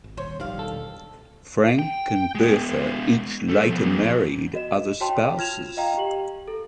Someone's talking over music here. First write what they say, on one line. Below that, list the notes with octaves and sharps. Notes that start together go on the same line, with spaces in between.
Frank and Bertha each later married other spouses.
G#1
D#1 C5 C#5
A#1 D#3 G3 C5 D5 F5
E1 A4
G5
G#3 B3
G3 A4
F3 B3
F#4 D#5 E7
F#4 C#5 G5 A5 C6
F4 F6 G#6 E7 F7
D#5 F5 G5 A#5
G4 F#7
A4